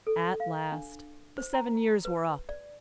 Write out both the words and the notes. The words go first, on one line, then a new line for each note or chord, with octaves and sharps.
At last the seven years were up.
A4
F5
D4
C5
A#5
B4
D5